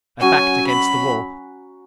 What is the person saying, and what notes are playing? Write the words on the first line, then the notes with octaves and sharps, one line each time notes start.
I backed against the wall.
F#3 C#4 F#4 G#5
B5